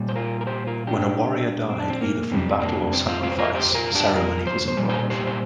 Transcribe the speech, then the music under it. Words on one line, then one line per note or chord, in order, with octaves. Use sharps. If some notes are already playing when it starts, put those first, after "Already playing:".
When a warrior died either from battle or sacrifice, ceremony was involved.
Already playing: A#2 G3
C5
F4 A#4
A#4
G4 C5
F4 A#4
D4 G4
C4
D4
C4
A#3
F2 C3 G3 C4
A#3 D4
C4
C4 F4
C4 F4
C5
F4 A#4
G4 C5
F4 A#4
D4 G4
F4 A#4
C5
C5
A#2 G3
C5
G4 C5
C5